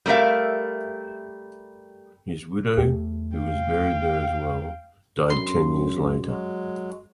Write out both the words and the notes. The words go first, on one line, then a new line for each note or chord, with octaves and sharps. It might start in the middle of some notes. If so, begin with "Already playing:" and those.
His widow, who was buried there as well, died ten years later.
G3 A3 A#4 E5 F5
E2 A3 G4 G#4
F5 G5
F#2 C6
F#3 G#3